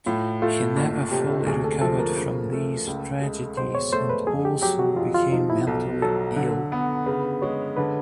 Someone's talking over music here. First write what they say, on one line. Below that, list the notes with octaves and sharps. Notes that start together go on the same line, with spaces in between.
He never fully recovered from these tragedies and also became mentally ill.
A2 F4
A3 F4
F#1
C3 G4
D2 G#4
A4
F3 A4
A#4
C#3
A3
C#2
G#3
B2 C5
C#5
A3 C5
B4
F2 G#4
G4
F#3 G4
F#4
F2 F4
F4
F3 D#4
E4
B1 A4
F#3 A4
D3
B3
C#3 B4
G#3 C#5
D3 B4